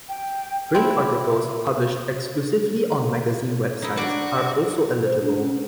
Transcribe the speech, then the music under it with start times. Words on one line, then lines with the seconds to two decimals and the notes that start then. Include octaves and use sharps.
Print articles published exclusively on magazine websites are also eligible.
0.08 G5
0.75 C4 E4
3.82 D#4 E4
3.97 D4 F#4 D5 F#5
5.03 C5
5.21 D4
5.37 C#4